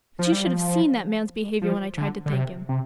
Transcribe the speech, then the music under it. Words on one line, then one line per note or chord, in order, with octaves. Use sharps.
But you should have seen that man's behavior when I tried to thank him.
F3
G3
F3
F3
D3
D3
C3
C3